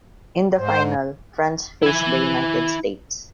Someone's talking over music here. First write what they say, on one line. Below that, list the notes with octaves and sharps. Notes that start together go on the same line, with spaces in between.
In the final, France faced the United States.
G#2 C5
E4 G#5